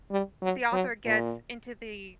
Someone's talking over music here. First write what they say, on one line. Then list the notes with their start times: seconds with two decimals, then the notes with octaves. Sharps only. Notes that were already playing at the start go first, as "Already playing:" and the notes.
the author gets into the
0.11 G3
0.42 F#3
0.73 F#3
1.05 A#2